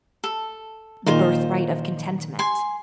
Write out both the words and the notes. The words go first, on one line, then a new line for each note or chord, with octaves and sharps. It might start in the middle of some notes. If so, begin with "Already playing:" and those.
The birthright of contentment.
A4
A#2 D#3 D#4 F4 C5
G#5 C6